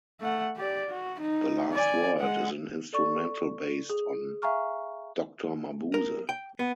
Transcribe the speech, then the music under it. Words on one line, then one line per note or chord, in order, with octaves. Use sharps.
"The Last Word" is an instrumental based on "Doctor Mabuse".
A3 F#5
G4 D5
F#4
D#4
D5 G#5
G#3 F#5
A4 D5 C#6
G#4
E5 F5 G#5 A#5 C#6 F6
A#4
G5
B3